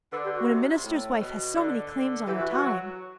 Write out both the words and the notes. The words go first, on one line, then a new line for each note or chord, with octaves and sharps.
When a minister's wife has so many claims on her time!
D3 B4
G4
F#4
C3
A2
B2
D3
E3 G4
F#4
F#4
F#3